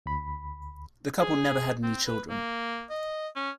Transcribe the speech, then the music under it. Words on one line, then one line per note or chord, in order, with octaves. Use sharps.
The couple never had any children.
D2 B5
G#4
C4
B4
A#3
D#5
C#4